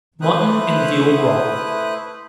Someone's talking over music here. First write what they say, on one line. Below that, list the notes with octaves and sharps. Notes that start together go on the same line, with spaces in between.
Mutton and Veal Broth.
A3 E4 B4 C5 D#6 F#6